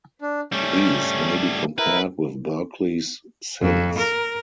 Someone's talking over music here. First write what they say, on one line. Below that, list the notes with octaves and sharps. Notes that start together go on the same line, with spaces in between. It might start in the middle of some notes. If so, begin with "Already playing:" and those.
These may be compared with Berkeley's "Sins".
D4
G3 A3 C#4
E4 A#4 B4
F2
A#4